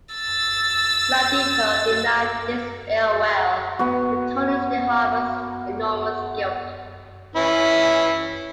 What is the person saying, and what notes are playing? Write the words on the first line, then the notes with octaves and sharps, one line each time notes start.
Blundetto denies this ill will, but Tony still harbors enormous guilt.
E6 A6
B3 F#4
E3 C#4 E4